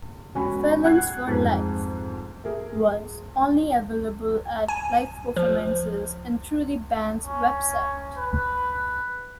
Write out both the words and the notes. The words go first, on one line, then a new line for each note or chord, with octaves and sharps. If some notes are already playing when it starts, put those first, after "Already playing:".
"Felons for Life" was only available at live performances and through the band's website.
E1 C#4 F#4 G#5 B5
F#5 F#6 G#6 C7
F2 G#2
G#4 A#4 E5
G#5
F3
C#4
B4